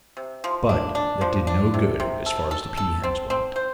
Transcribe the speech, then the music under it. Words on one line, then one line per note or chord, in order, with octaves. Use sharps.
But that did no good as far as the pea-hens went.
C3
F3
D4
D4
F3
D4
C3
C3
A4
A4
A4
C4
C4
C5